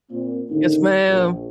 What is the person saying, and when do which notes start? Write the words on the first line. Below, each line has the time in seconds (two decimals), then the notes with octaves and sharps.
Yes, ma'am.
0.11 A#2 C4
0.51 D#2 A2 D3 D#3 C#4 D#4
1.07 A#1